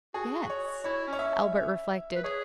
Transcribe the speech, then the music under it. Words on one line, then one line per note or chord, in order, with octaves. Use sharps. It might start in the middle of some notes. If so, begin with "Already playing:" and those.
"Yes."--Albert reflected.
F#4 G#4
C#5
E4 C#5
C#4
C#5
E5
B4
G#4 C#5